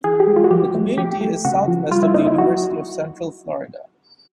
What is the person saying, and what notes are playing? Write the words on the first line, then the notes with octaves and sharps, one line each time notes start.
The community is southwest of the University of Central Florida.
E3 G#4
G4
G#3
F4
F#4
F3 G4
A3
F3 G4
A3
C#3 F#4
F3
G3 F4
E4
A#3 D#4
E4
F#3 F#4